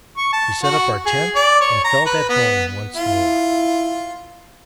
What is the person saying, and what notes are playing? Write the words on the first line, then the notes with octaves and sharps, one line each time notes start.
We set up our tent, and felt at home once more.
C#6
A5
F#4
G#4
D5
C#5
A#5
B4
B3
E4 F4